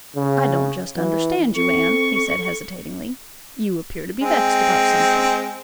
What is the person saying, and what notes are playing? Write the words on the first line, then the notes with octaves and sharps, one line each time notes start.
"I don't just understand you, Anne," he said hesitatingly "You appear to be vexed about something."
C#3
E3
C4 A4 C#6
G#3 C4